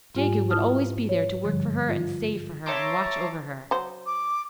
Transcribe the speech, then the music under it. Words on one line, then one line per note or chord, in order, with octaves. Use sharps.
Jegu would always be there to work for her and save for her, and watch over her.
G#2 G3 F4 G4 G#5
E4 F4 A5 D#6 F6
C#5
G2 D3 F3 G3
F4
C#5 E5 A5 A#5 C6 D6
F#3 C5
D6